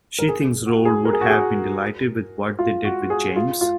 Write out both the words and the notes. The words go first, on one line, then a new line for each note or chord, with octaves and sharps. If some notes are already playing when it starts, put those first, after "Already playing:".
She thinks Roald would have been delighted with what they did with James.
A#4
G#4
F#4
G#4
A#4
G#4
F#4
G#4
F4
F#4
G#4
F4
F4